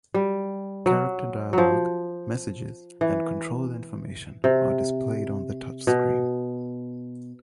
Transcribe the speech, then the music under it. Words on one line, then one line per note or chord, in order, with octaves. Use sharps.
Character dialogue, messages and control information are displayed on the touch screen.
G3
F#3
F3 F#3
E3
C3
B2